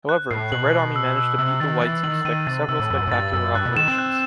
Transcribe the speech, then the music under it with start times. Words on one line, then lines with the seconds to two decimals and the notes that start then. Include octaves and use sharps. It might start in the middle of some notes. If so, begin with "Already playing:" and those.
However, the Red Army managed to beat the Whites in several spectacular operations.
0.09 F#6
0.31 A2 C7
0.52 B2 F#7
0.74 C7
0.96 E6
1.17 E6
1.38 C3 E6
1.60 D#3 A6
1.82 E3 A6
2.03 D#3 F#7
2.25 D#3 D#7
2.47 C3 A6
2.69 C3 E6
2.80 A2
2.90 F#2 E6
3.01 G2
3.07 A2
3.12 G2 A6
3.33 F#2 E6
3.55 G2 F#6
3.66 B2
3.77 D#3 E7
3.88 C4
3.98 F#6